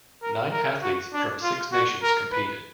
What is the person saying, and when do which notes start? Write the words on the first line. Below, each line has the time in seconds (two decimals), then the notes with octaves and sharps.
Nine athletes from six nations competed.
0.22 A#4
0.52 A#4
0.83 F#4
1.13 D4
1.43 F4
1.73 F#4
2.03 A#4
2.32 B4